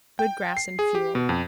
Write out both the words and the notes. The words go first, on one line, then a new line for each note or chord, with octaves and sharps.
Good grass and fuel.
G5
C7
G#4
G4
B2
F2